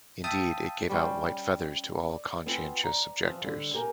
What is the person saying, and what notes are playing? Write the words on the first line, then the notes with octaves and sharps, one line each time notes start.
Indeed, it gave out white feathers to all conscientious objectors.
E5 F5 G5 A5 D#6
G3 C#4 C5
D5
B3 C4 F4 G#5
D5 A#5
E3 F3 A#3 C4
D3 G3
A#3 G4 A#4 G#5